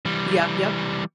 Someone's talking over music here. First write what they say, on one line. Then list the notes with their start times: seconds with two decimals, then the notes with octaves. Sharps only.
Yeah, yep.
0.05 E3 G3